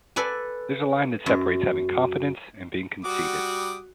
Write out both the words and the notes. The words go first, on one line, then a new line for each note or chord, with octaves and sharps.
There's a line that separates having confidence and being conceited.
A4 B4 D5 G#5
F#2
G3 F#4 D6 D#6